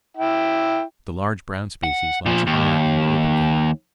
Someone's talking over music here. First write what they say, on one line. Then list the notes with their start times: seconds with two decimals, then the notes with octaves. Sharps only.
The large brown species likes higher and opener ground.
0.17 E4 G5
1.83 F#5
2.26 A#2 F3
2.47 D#2